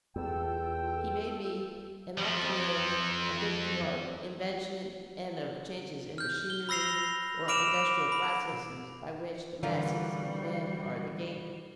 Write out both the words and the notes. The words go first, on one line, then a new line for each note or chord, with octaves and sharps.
He may be, and often is, a victim of invention and of changes in machinery or industrial processes, by which the masses of men are the gainers.
E2 F4 A4 G5 E6
F2 F3
F6 G6
G7
B5 E6 A#6 C7 F7
B5 D6 F6 D7 E7 F7
B5
D3 E3 G3 F4 F#4 A#4